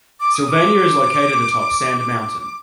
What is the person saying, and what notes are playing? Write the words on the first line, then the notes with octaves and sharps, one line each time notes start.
Sylvania is located atop Sand Mountain.
D6
D#6
D6